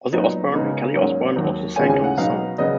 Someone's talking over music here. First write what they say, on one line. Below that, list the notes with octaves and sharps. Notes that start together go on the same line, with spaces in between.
Ozzy Osbourne and Kelly Osbourne also sang on the song.
A#2 F#3 B3 D#4
C#3 G#3 B3 D#4
G#2 F#3 A#3 C#4
D#2 D#3 F#3
D#2 C#3 G#3 C#4 F4 G#5
G#5
F#5
B2 F#3 B3 D#4 F5
C#3 F#3 B3 D#5